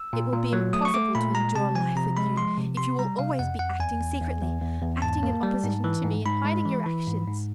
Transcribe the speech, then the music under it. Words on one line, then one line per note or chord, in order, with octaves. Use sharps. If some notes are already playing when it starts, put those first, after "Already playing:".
"It will be impossible to endure life with you, if you will always be acting secretly--acting in opposition to me and hiding your actions."
Already playing: E6
A#2
A#2
F#3
A3 D#6
C#6
A3 D6
A#2 B5
G#3 A#5
C3 A5
F3 G#5
C3 A#5
G#3 B5
F3 C6
C3
C3 C6
G3 A#5
C3 F5
F2 F#5
F2 F#5
E2 G#5
E2
E2
E2
E2
E2
G#2 A5
A#3
G3
G#2
E3
G#2
G#2 B5
G#3
E3
E3
G#2
G#2